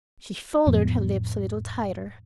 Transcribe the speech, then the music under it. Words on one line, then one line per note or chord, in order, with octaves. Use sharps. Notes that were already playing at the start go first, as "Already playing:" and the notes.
She folded her lips a little tighter.
F2 A2 F3 B3